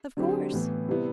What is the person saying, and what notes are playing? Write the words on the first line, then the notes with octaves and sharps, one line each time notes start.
"Of course."
D3 F#3 C4 G4
A2 E3 B3
C3 G3 B3 E4